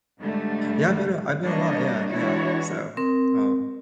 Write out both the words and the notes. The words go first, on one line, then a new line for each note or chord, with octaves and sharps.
Yeah, I've been a I've been a lot Yeah, yeah, so, um
G#2 D3 G3 A3
G3 A#3 D4 C#5 D#5
E3 G#3 D4 E4 F#4 C#5
C4 A#4